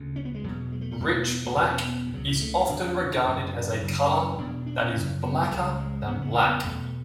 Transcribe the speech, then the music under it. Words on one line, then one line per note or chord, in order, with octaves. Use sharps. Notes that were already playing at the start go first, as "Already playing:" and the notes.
Rich black is often regarded as a color that is "blacker than black".
Already playing: D2 C#3
C#4
B3
G#3
E2 B2 F#3
G#3
A3
A3
E2 B2 G#3
A3
B3
A3
E2 B2 C#4
C#4
B3
E3
C#2 C#3 F#3
E3
A3
E2 D3 D4
C#4
C#4
D4
F#2 D3 C#4
F#2 C#3
C#4
E2 B2 D4
D4
C#4
F#2 C#3
B3
C#2 C#3 G#3
G#3
E2 C#3 B3
B3
A3
B3
E2 B2 A3